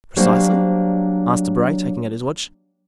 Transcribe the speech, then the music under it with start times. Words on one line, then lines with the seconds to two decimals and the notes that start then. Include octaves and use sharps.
"Precisely?" asked Debray, taking out his watch.
0.16 F#3 G3 A#3 D4 C5